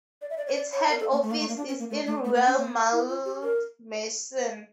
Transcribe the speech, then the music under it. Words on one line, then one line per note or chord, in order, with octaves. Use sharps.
Its head office is in Rueil-Malmaison.
D5
E5
D5
C#5
D5
C#5
A#4
A4
A#3
A3
A#3
A3
A#3
D4
C#4
A#3
A3
A3
A3
A#3
C#4
A#3
E4
F4
G4
A#4